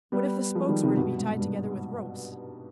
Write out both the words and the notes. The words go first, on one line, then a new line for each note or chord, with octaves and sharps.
"What if the spokes were to be tied together with ropes?"
G3 B3
F3 G#3
D#3 G3
C3 D#3
G2 B2
G#2
G2